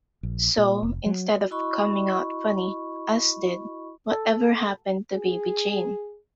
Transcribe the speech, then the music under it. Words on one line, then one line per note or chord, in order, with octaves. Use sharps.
So, instead of coming out funny, as did Whatever Happened to Baby Jane?
A#1
A#2
F1
F#3
E4 F#4 D#5 B5 C#6
A4
G#4